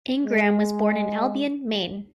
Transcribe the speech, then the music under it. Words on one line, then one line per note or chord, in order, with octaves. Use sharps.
Ingraham was born in Albion, Maine.
G#3